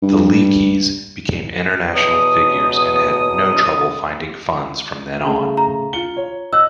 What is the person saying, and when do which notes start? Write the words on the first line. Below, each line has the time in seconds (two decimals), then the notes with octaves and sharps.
The Leakeys became international figures and had no trouble finding funds from then on.
0.02 G2
1.95 E2 B2 F#3 D#6
5.24 C#3 A3
5.57 A#5
5.93 F4 C#7 G7
6.17 C#5
6.53 D#5 E6 F#6